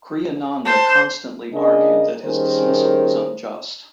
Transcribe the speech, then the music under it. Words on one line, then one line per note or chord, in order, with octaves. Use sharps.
Kriyananda constantly argued that his dismissal was unjust.
C5 A5
C#3 D4 G#4 A#4 D#5
D#3 G3 C#4 G#4 A#4 C5